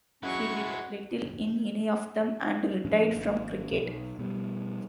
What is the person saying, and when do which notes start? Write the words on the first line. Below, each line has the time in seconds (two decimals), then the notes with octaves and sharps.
He did little in any of them, and retired from cricket.
0.23 F#3 G#3 C#4 E4 F#5 C#6
2.85 A2 F3 C#4 D4
3.12 G#1 A#3
3.71 B1
4.19 B2 G3